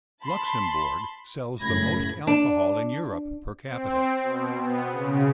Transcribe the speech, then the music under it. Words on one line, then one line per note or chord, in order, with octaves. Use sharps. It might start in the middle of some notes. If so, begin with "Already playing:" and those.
Luxembourg sells the most alcohol in Europe per capita.
A5 B5 C6
F#2 A2 C#3 B5 G#6 A#6
D4
C4
B2
B3
C#3